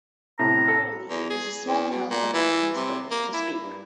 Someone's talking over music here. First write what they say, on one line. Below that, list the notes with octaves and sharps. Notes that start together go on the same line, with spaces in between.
Berrilee is a small town, without any "stores", to speak.
A2 C3 A#5
A4
E2
G#4
E2
B2
A#2
E3
C3
A#3
E4
G2